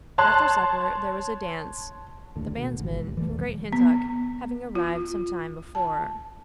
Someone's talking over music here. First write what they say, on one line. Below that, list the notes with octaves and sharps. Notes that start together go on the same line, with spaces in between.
After supper there was a dance, the bandsmen from Great Hintock having arrived some time before.
C#5 A5 C6 F#6
D#2 A2 D3
B2
G#1 B2
A1 D#2
E3 G3 A3
E1 D#3
B3
F4
A5